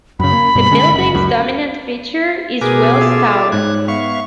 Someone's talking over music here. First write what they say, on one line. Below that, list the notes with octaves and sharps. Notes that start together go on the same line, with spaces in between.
The building's dominant feature is Wills Tower.
F#2 C#3 B5
A#3
G2 B2 G3
D3 G#3 C#4
F#1
C#2 F#2
B2 G#4 A#4 B4 G#5 D6
F4 A4 E5
G#2 C#5 F#6 G#6
B3 E5 F5 C#6